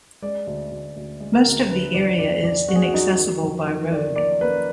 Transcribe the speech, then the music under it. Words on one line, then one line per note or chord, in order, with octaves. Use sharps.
Most of the area is inaccessible by road.
G#3 D5
D2
D2
D2
G#3
A#4
D2
D3 B4
F2 D5
F2 D5
F2 D5
F#3 F#4
G#4
F#4
F#3 D#4
D#3
F2
D#3
D#3 D5
A#3 D5
A#3 B4